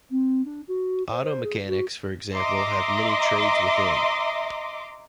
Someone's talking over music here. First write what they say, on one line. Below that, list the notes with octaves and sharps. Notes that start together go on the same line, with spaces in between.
Auto mechanics, for example, have many trades within.
C4
D4
F#4
C5
C5
G#4
F#4
D#5 E5 A#5 C6 D6